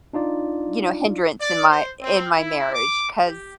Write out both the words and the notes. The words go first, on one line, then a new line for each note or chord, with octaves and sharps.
you know hindrance in my in my marriage 'cause
D4 D#4 F4 D5
D5
C5
C4
E4
D6
G4